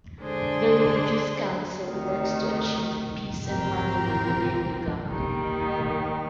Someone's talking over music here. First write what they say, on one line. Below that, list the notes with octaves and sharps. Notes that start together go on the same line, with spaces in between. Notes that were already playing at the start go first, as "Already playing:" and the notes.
The religious council works to achieve peace and harmony within Uganda.
D3 G#3 D4 G#4 C5
D2 C3 D#3
G#2 F3 C4 G4 A#4
D#2 D#3 G3